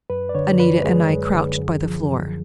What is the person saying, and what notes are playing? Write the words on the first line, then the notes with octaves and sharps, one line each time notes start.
Anita and I crouched by the floor.
F#2 B4
D5
D3 C#5
F#2 B4
G#3 G#4
F#2
D3
F#2
F3
F#2